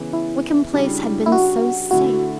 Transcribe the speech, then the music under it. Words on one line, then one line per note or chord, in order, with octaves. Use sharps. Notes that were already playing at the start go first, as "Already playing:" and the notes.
Wickham Place had been so safe.
Already playing: C#3 E3 B3
E4
C#3 G3 D4 F#4
E4
F#4
D3 A3 E4 F#4